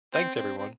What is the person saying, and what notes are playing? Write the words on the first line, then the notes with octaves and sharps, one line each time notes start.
Thanks everyone!
C4
C4
C4